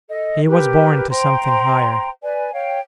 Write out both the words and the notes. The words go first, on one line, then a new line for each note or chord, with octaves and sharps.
He was born to something higher.
A4 D#5
G4 A#4 B4
C5 G5 A#5 C6
B4 D5 G#5
C#5 F5 G5